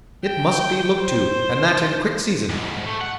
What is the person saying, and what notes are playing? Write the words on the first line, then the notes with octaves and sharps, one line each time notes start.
It must be looked to, and that in quick season.
G5
C5
D2 G#2
A3
F#5